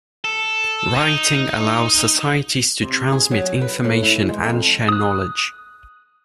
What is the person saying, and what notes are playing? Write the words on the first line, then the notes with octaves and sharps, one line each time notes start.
Writing allows societies to transmit information and share knowledge.
A4
D#4
C3
G#4
F#3
B4
A2
E4
E3
G#3
F2
D#6 F#6